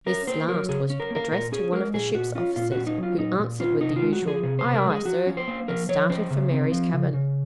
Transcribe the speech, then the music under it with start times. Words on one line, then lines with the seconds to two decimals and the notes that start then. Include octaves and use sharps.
This last was addressed to one of the ship's officers, who answered with the usual "Aye, aye, sir," and started for Mary's cabin.
0.06 C#4 A#4
0.27 A#3 C5
0.48 F#3 A#4
0.69 C#3 G#4
0.90 C#4
1.00 A#4
1.11 A#3 A#4
1.32 A#2 A#4
1.52 C#4 G#4
1.73 G#3 A#4
1.94 A#2 G#4
2.15 A#2 F#4
2.35 C#4 F4
2.56 A#2 F4
2.72 F#4
2.77 C#4
2.87 D#4
2.98 F#3
3.03 F4
3.18 A#2 D#4
3.39 A#2
3.60 C#4 F4
3.81 C3 D#4
3.96 F4
4.02 G#3
4.13 F#4
4.22 F3
4.28 G#4
4.43 C3 G#4
4.59 C5
4.64 C3
4.74 A#4
4.85 G#3
4.90 G#4
5.05 F3 F#4
5.27 C#4
5.37 C5
5.48 A#3
5.68 F3 A#4
5.89 F3 C#5
6.10 C#4 C5
6.31 C#3
6.51 C4
6.72 F3
6.93 C#3
7.14 C#3